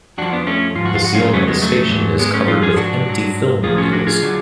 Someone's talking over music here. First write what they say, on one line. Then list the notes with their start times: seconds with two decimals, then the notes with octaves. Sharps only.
The ceiling of the station is covered with empty film reels.
0.18 F2 F3 D4 F#4
0.33 B3 D4
0.47 A3 C#4
0.76 G#2 F3 F4
0.85 F#4
0.95 F4
1.04 F#4
1.14 C#4 F4
1.33 F2 C#3 F#3 A3 C#4
1.47 G#3 B3
1.62 F#3 A3
1.91 G#2 F#3
2.19 G#3 B3
2.34 A3 C#4
2.48 G#2 F3 C#4 F4
2.62 F4 G#4
2.77 D4 F#4
3.06 G#2 F#3
3.63 A2 F3 F4 G#4
3.77 C#4 F4
3.92 D4 F#4
4.07 F4 G#4
4.23 D3 F#3